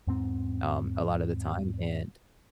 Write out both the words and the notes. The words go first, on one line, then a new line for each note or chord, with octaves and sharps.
um, a lotta the time. And,
E2 G#2 C4